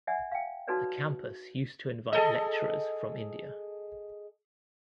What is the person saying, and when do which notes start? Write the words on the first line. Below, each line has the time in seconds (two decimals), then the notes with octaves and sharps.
The campus used to invite lecturers from India.
0.07 D5 E5 F#5 G#5
0.32 F5 G5
0.67 D#4 F#4 A4 B4 C#5 D5
2.12 G#4 A4 D#5